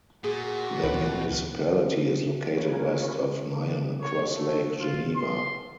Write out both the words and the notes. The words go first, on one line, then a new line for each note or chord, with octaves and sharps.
The municipality is located west of Nyon across Lake Geneva.
A#2 F#4 G#4
D2 B4
C#4 F4 G#4 A#4 B4 C#5
C#5
A3
F4
C6